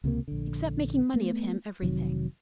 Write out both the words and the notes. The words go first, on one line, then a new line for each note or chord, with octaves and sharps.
"Except making money of him--everything?"
C#2 C3 G#3 A#3
A#1 D3
A3 B3
F1 C3 D#3 F#3